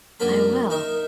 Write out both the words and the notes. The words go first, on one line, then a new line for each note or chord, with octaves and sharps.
I will.
F#2 A#3 D4 A#4 B5
D#4 A#4 E5